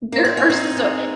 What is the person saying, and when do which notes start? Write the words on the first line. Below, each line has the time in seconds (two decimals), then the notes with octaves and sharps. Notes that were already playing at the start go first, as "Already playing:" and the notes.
there are so
0.12 A#3
0.25 C4
0.37 C#4
0.49 F2 C4 D#4
0.77 G#3